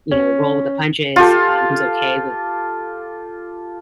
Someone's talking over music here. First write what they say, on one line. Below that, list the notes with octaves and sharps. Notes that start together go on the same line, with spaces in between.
you know, roll with the punches, um, who's okay with,
C#4
F4 G4 A4